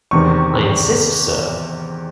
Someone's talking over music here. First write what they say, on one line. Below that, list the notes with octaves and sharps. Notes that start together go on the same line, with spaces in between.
I insist, Sir.
E2 C3 D#3 C#6